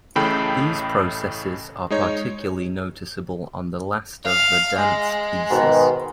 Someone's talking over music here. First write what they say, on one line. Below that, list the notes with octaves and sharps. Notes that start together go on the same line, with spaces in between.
These processes are particularly noticeable on the last of the "Dance" pieces.
A1 A2 C#3 A4 G5 B5
G#3 D#4 C#5
F5
G#3
G#2 B2 D#3